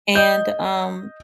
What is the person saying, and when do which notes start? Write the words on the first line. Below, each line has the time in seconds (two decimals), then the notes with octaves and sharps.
and, um
0.15 D#5 G6